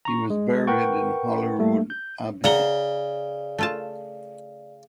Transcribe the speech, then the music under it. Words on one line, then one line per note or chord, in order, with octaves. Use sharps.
He was buried in Holyrood Abbey.
A#5 C#6
G#3
A#4 B4 F#5 G5 C#6
G3 A3 A#3
G6
C#3 D5 F#5 A#5 G7
A3 F4 A5